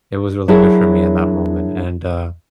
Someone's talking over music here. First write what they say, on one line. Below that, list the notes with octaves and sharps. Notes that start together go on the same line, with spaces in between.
It was really good for me in that moment and, uh,
F#3 D4 E4 G#4 A#4 C#5